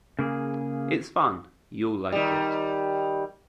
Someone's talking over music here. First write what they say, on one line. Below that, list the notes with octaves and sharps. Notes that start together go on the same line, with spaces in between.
It's fun; you'll like it.
C#3 A#3 G#4
D#3 G3